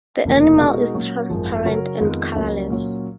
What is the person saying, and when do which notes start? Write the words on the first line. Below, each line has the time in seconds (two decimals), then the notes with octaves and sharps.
The animal is transparent and colourless.
0.24 F1 D#2 C#3 F3 A#3
0.59 B2 G#3 D#4 F#4 A#4
0.94 A#2 F#3 C#4 F#4
1.30 G#1 F#2 F3 G#3
1.65 C#3 F#3 C#4 F#4 A#4
2.00 F2 D#3 G#3 B3 F4
2.35 C#2 C#3 F#3 A#3
2.70 A#2 F#3 C#4